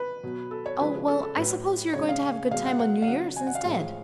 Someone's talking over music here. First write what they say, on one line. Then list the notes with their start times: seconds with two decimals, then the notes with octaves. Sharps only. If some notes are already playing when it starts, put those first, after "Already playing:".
"Oh, well, I suppose you are going to have a good time on New Year's instead."
Already playing: B4
0.23 B2 F#3
0.51 A4
0.66 C#5
0.80 C#3 F3 G#3 B4
1.08 A4
1.22 A4
1.36 A2 F#3 B4
1.94 C#3 G#3 C#5
2.09 F5
2.51 B2 G#3 F5
2.65 F#5
2.79 F#5
3.02 F5
3.08 C#3 F#3 F#5
3.36 G#5
3.47 F#5
3.55 F5
3.65 A2 F3 G#3